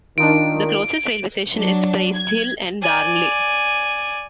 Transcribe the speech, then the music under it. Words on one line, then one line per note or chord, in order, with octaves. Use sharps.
The closest railway station is Priesthill and Darnley.
D#3 D4 D#4 F4 D7
F#3 D4
G#6
D5 G#5